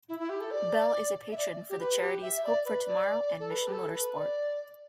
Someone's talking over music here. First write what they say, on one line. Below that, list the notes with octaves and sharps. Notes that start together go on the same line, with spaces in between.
Bell is a patron for the charities Hope for Tomorrow and Mission Motorsport.
E4
E4
G4
A4
D5
E5
D5
G4
B4
G4
E5
D5
B4
D5
A4
B4
G4
A4
B4
D5